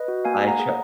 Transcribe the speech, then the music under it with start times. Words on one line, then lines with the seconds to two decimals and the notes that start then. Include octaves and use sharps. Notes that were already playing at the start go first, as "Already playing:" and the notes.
I tr
Already playing: B4 D#5
0.08 F#4
0.25 A#3 F5 G#5
0.42 A#3
0.47 F#5 A#5
0.60 G#4